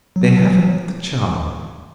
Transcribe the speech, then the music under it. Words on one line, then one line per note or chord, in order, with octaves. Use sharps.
They haven't the charm.
F#3